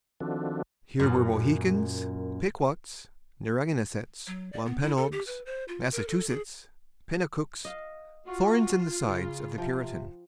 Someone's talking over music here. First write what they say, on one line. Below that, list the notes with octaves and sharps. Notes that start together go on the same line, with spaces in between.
Here were Mohicans, Pequots, Narragansetts, Wampanoags, Massachusetts, Penacooks, thorns in the side of the Puritan.
D#3 F3 C4 D4 F#4 A4
F#2 A#2
F#3
D5
B3
E4
A4
G4
B4
C5
F4
A#4
A4
G#4
D#5 F5
F4 F#4
C#3
C3 F3 G5